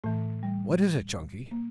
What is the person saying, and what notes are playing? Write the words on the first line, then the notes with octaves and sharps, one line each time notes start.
"What is it, Chunky?"
A2 E3 A3
G3
A#3